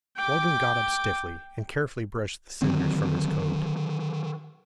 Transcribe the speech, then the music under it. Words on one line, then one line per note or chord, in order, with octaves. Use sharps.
Waldron got up stiffly and carefully brushed the cinders from his coat.
G5 D6
D3 D#3 F#3 C4